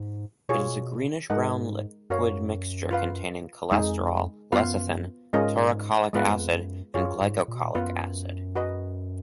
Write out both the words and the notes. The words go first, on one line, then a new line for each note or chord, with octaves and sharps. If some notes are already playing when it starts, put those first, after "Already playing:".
It is a greenish-brown liquid mixture containing cholesterol, lecithin, taurocholic acid, and glycocholic acid.
Already playing: G#2
B2 F4 G#4 C#5
G#2 G#3 D#4 A#4 D#5 F#5
F#2 F#4 A#4 C#5 F5
F4 B4 F5
F2 G#3 D#4 G#4
F#2 B3 F4 B4 F5
G#2 G#3 C#4 F4 A#4 D#5
G#2 G#3 B3 F4 B4 F#5
F#2
F2
F#2
F#2 F4 G#4 C#5
G#2
A#2
B2
A#2
F#2 B3 F4 B4
F#4 B4 D#5